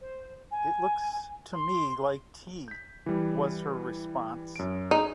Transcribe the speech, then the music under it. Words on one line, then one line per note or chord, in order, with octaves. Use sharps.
"It looks to me like tea," was her response.
C5
G#5
C6
G6 B6
E3 G3
F#2 D7
D#4 G#4